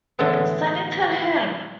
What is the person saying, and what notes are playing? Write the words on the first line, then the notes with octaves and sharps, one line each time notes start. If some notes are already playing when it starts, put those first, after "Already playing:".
Sentinel Help!
A2 D3 E3 G#3 B3